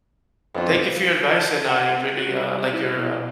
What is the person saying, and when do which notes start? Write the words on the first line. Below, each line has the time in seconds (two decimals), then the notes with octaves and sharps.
Thank you for your advice, and I really, uh, like your, uh
0.55 F2 B3 D4 F4
1.24 A4
1.68 F#5
2.17 F#4
2.30 G3
2.73 E4
2.97 B2